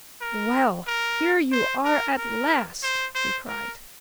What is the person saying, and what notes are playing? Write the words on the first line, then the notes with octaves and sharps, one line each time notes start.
"Well, here you are at last!" he cried.
A#4
A#4
C5
A#4
A#4
C5
C5
A#4